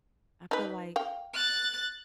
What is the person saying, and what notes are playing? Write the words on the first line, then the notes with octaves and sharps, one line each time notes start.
I feel like
D#4 B4
F5 G5
F#6 A6